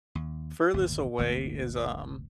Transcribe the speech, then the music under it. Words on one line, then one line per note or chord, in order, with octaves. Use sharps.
furthest away is, um,
D#2
G1 D#2 A2
D1 G1 D2 A#3